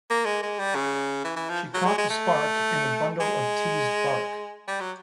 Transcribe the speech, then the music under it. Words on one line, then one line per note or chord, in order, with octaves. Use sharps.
She caught the spark in a bundle of teased bark.
A#3
G#3
G#3
G3
C#3
E3
E3
F3
F#3
G#3
G#3
A3
G#3
G3
F#3